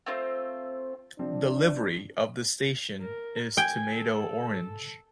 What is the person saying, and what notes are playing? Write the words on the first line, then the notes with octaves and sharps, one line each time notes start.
The livery of the station is tomato orange.
A3 C4 F4 C5
C3 F3 C4 D4
A#4
G5 G#5
A4